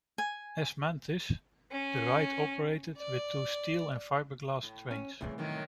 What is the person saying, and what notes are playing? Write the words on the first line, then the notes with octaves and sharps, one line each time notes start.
As Mantis, the ride operated with two steel and fiberglass trains.
G#5
C#4
D5
A2
C#4
C2 A2 C#3 E3
F#2 D#3 F#3